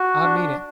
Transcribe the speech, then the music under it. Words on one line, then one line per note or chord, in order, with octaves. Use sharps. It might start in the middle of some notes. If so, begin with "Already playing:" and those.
I mean it!
Already playing: F#4
D4